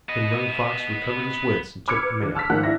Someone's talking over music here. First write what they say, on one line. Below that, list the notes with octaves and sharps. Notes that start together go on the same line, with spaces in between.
Then Running Fox recovered his wits, and took command.
B3 D#5
B5 D6 E6 F6 G#6 C#7
B4
D3
A5 E6 F6 B6
G#1 D#3 F3 F#5 F#6
D4 E4 A#6